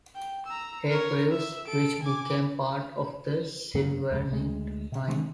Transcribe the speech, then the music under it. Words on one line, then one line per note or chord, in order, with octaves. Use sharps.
Hargreaves, which became part of the Sylvanite Mine.
G5
A#5 E6
A#4 C#5
E5
A4 D7
G#5 D6
F#2 F#3 A#3
D1 F2 C#3 G#3
D2 G#3
B2
D#3 G#3 C4 D4